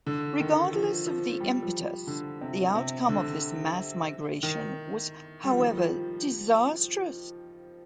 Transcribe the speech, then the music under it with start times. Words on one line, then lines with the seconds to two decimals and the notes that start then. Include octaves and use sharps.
Regardless of the impetus, the outcome of this mass migration was, however, disastrous.
0.06 D3
0.40 D#3
0.73 F3
1.07 F3
1.41 G3
1.63 F3
2.07 D3
2.41 C3
2.75 C3
3.09 D3
4.43 D#3
5.44 G3
5.51 F3
5.59 D#3
5.67 F3
5.77 F3